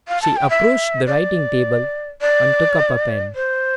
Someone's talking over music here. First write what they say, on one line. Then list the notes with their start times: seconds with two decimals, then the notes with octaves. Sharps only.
She approached the writing table, and took up a pen.
0.08 F5
0.22 A5
0.37 G5
0.50 E5
1.07 D5
2.21 D5
3.35 C5